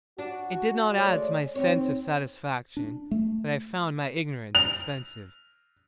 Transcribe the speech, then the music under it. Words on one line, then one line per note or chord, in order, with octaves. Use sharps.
It did not add to my sense of satisfaction, that I found my ignorance expensive.
D4 F#4
G#3 A3 C#5 D5
D#2 C4 C#5
D4
A3
F7